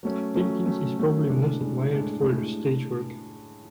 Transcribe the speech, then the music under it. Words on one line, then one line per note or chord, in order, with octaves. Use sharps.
Pinkins is probably most admired for her stage work.
F#3 A3 C#4
F#3 A3 C#4
F#3 A3 C#4
F#3 A3 C#4
A2 G#3 D4
A2 G#3 D4
A2 G#3 D4
A2 G#3